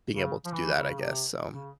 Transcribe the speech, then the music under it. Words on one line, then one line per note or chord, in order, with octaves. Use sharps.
being able to do that, I guess. So
C#3
F3
E3
C#3
C3
C#3